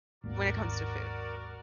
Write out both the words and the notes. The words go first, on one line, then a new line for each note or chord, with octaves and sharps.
when it comes to food.
G#1 D#2 A#3 F#4 A#4 D5